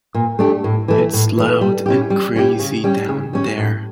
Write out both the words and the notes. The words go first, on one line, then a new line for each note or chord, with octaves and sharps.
It's loud and crazy down there.
A#2
A3 D4 G4
A2
E3 A3
A2
E3 A3
G3
C#4 E4 G4
G3
C#4 E4 G4
C#3
G3 C#4 G4
C#3
G3 C#4 G4
A2